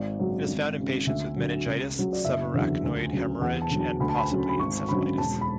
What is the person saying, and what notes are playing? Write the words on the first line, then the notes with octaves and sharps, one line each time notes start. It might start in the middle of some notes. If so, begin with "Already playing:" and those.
It is found in patients with meningitis, subarachnoid haemorrhage and possibly encephalitis.
Already playing: G#1 D5
F#2 C#3 F#3
G#1
F#2 C#3
D2 E5
D3 F#3
C#2
C#3 F#3
D5
F#1 E5
E2 D3 F#3
D2
C#3 F#3
E2 F#5
A5
D3 F#3
A5
D2 B5
A5
B5
C#3 F#3
B5
G#1 C#6
F#2 D3 F#3 B5
E1 A5
B5